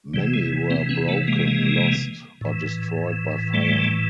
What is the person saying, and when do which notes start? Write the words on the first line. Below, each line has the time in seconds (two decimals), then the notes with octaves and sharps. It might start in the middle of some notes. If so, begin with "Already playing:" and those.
Many were broken, lost, or destroyed by fire.
0.14 C3 E3 G3
0.34 G#3
0.70 A#3 C4
0.89 B3 C#4
1.08 A3 B3
1.27 G#3 A#3
2.41 A2 E3
3.53 G3 A3